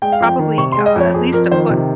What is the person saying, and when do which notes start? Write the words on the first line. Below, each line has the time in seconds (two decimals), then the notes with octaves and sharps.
probably, uh, at least a foot
0.02 G#3 G5
0.12 F5
0.20 F2 G5
0.39 D#3
0.58 C3 C#6
0.72 C6
0.77 G#3
0.86 D#5
0.96 F2 C#5
1.14 F2 G#4
1.33 F2 A#4
1.51 D#3 C5
1.70 C3